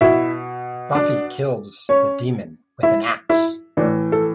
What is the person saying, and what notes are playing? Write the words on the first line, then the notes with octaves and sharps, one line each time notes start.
Buffy kills the demon with an axe.
B2 E4 E5
D4 D5
C#4 C#5
E4 E5
E4 E5
A2 E3 D4 D5
A4